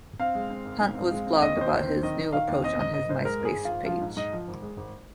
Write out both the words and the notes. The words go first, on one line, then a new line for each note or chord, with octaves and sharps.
Hunt has blogged about his new approach on his MySpace page.
C4 F5
G#3
C4
G#1
G#2
C4
G#3
C4
D#2 D#5
D#2
C5
D#2
C5
C4
D#3 D#5
D#3
D#3 F5
D#2
C4 D#5
G#2 D#5
G#1 D#5
G#2 C5
G#3 A#4
G#1 G#4
G#1
F4
G#1
F3 F4
G#2
G#2 D#5
F3
G#1
G#3
G#1